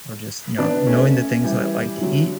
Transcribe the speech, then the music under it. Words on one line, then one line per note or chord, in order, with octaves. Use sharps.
or just, you know, knowing the things that I like to eat,
B3 D4
A3 C#4
E3 G3
G3
D3 F#3